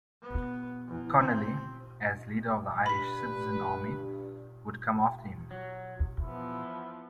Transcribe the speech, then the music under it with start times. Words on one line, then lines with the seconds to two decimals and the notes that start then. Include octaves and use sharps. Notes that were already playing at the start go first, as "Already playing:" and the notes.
Connolly, as leader of the Irish Citizen Army, would come after him.
0.22 B3
0.88 E2
1.20 C4
2.86 G2 B4 B5 B6
5.51 F#3
6.21 E2 F3 B3 E4